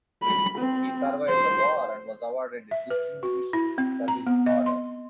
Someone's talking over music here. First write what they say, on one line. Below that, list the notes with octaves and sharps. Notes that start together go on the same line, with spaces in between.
He survived the war and was awarded a Distinguished Service Order.
B5
C4
C5
E5
B4
F#4
E4
C4
A#5
B3
D#5
C6